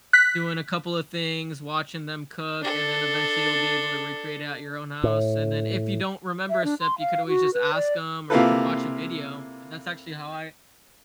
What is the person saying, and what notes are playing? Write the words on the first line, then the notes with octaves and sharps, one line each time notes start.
doing a couple a things, watching them cook, and then eventually, you'll be able to recreate it at your own house, and then, if you don't remember a step, you could always just ask 'em or you could watch a video, and that's actually how I
F#6 B6
D4 A4
A2
E5
D4
C6
F5
F#4
B4
D5
C3 A#3 E4 F4 A4 B4